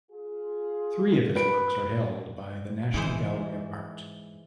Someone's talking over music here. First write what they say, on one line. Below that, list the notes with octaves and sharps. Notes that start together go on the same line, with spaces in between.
Three of his works are held by the National Gallery of Art.
F4 G#4
B4 D7
G#2 E3 G#3 C5